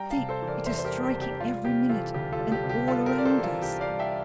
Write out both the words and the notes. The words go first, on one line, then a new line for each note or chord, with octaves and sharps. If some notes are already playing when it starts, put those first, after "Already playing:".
"See, it is striking every minute, and all around us!"
Already playing: G3 G5 A#5
F5 A5
C3
A4 C5
E3
A#4 D5
E2 C5 E5
C5
G4 A#4
G3
G4
C3
G4
G3 F4
C3 G4
E3 F4 A4
D2 G4
F4 A4
G3
G4
C3
G4
G3 F4 A4
G4 A#4
C3
D5
A4 C5
E3
F4 A4
C2 G4
D5 F5
G3
E5 G5